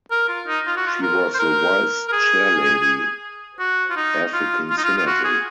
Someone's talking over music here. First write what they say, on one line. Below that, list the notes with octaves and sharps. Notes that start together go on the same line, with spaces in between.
She was the vice chair Lady African Synergy.
A#4
F4
D#4
F4
F#4
F4
A#4
C5
A#4
A#4
G#4
F#4
F4
D#4
F4
F4
D#4
F4
F4
F#4
G#4